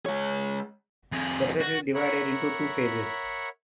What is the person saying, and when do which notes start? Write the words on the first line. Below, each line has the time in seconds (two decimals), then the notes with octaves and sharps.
The process is divided into two phases.
0.06 G#3 C#5
1.12 F2 G#4
1.60 F#4
1.94 A#4 C#5 E5 F#5 B5